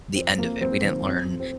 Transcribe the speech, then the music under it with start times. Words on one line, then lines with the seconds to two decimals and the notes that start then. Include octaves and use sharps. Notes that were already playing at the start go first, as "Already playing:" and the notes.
the end of it. We didn't learn,
0.16 F2 C4
0.38 F2 A#3
0.61 F#3 C4
0.83 D#3
1.06 F2
1.28 F2
1.40 C4